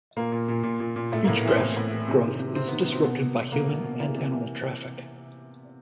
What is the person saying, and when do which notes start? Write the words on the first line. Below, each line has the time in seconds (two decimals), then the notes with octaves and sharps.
Beachgrass growth is disrupted by human and animal traffic.
0.16 A#2 A#3
0.32 A#2
0.48 A#2
0.63 A#2
0.80 A#2
0.96 A#2
1.12 A2 A3
1.24 A2 A#3
1.36 B3
1.44 E3 C4
1.60 A2
1.76 A2
1.92 E3
2.08 C3
2.24 D#3
2.40 C3
2.55 C3 C4
2.68 D#3 B3
2.80 B3
2.88 C3 C4
3.03 B2 B3
3.20 B2
3.35 B2
3.52 B2 A#3
3.67 B2
3.84 B2
4.00 E3 A#3
4.16 C3
4.32 E3